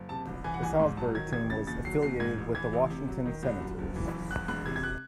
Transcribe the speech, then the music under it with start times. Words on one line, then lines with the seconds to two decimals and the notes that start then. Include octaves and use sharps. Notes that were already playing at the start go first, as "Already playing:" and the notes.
The Salisbury team was affiliated with the Washington Senators.
Already playing: F#1
0.09 C3 A5
0.27 C2
0.44 E3 G#5
0.54 F#5
0.62 C2 G#5
0.79 G#2 C6
0.97 F#3 A5
1.15 D#3 G#6
1.32 A1 G#6
1.50 C#3 A6
1.67 D#2 A6
1.85 F#3 C7
2.03 D#2 C7
2.20 G#2 G#6
2.38 A1
2.55 E3 G#6
2.73 A1
2.90 C3
3.08 F#3
3.25 D#3
3.43 C2
3.60 F#2
3.78 F#1
3.96 E3
4.13 F#1
4.31 E2 F#6
4.48 E1 F#6
4.66 C3 G#6
4.76 G#6
4.83 F#6